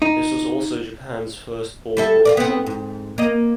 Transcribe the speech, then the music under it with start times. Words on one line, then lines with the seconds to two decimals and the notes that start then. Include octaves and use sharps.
This was also Japan's first ballpoint pen.
0.02 D#4
1.97 G3 A4 E5
2.25 F4 A#4 D5
2.37 B3 C4
2.66 G#2
3.18 A#3 D#5